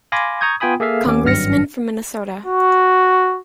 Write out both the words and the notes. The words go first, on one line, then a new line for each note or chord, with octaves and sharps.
Congressman from Minnesota.
F5 G#5 B5 C6 D6 A#6
A#5 C#6 D#6 G6 G#6
B3 F4 G5 G#5 B5 D#6
A#3 G#4 A4 E5 F5
D#2 B3 C#4 D6
G#1 G2 F#3 F6 A#6 C#7
F#4